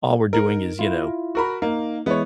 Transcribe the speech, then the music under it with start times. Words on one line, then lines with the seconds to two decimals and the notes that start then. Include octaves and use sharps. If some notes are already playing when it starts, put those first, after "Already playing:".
All we're doing is, you know,
0.33 D#4 A#4
0.79 E4 F4
1.35 F#4 A#4 B5
1.62 A#3 D#4
2.06 E3 G#3 B3 E4 C#5